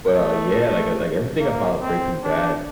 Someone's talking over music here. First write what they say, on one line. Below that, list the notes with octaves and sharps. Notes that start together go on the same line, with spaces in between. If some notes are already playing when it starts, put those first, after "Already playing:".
But, uh, yeah, like like, everything about Breaking Bad
A3
A#3
C4
D4